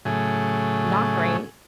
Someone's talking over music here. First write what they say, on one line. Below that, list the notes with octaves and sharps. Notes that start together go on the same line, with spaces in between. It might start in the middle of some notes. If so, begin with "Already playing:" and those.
not great
A2 C#3 F#3 A3 G#4